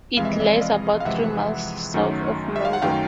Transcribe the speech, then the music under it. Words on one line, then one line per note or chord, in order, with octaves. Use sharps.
It lies about three miles south of Monroe.
F2 C3 E3 G#3 F5
E5
D#5
D5 E5
D#5 F5
F5
F2 C3 E3 G#3 E5 F#5
F#2 D#3 F#3 A3 C#4
E5
F5
F#5
F#2 D#3 F#3 A3 C#4 F5 G5